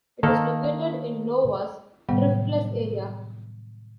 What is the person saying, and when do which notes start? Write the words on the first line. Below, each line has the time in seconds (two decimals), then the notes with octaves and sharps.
It is located in Iowa's Driftless Area.
0.23 D#3 A#3 A4
2.09 A2 C3 D#3 F#3 G3 B3